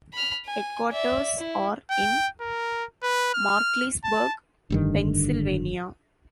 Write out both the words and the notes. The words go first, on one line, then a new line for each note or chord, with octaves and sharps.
Headquarters are in Markleysburg, Pennsylvania.
B5 F6
G#5
D5 E5
E4
G5
A#4
B4
F6
A5
F1 G2 D3 D#3